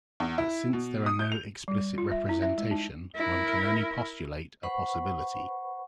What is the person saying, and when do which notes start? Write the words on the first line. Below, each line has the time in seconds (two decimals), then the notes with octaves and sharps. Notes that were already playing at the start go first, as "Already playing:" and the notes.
But since there are no explicit representation, one can only postulate a possibility.
0.20 E2
0.38 E4
0.73 B2
1.06 D#6
1.19 G6
1.32 F7
1.68 G3
1.98 F4
2.12 E5
2.29 E4
2.42 E5
2.58 G#3
2.71 D#4
3.15 E4 A#4
4.63 B4 C5 F#5 B5 C#6